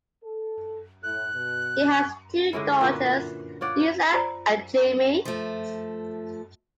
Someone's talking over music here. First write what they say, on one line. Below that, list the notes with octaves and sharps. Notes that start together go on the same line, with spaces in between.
He has two daughters, Lisa and Jamie.
A4
A2 F#6
B2
D3 G#3 C#4 E4
A#2 F#4 B4
F4 C#5 D5 F#5
C5
F4 C5 D5 A#5
F3 A3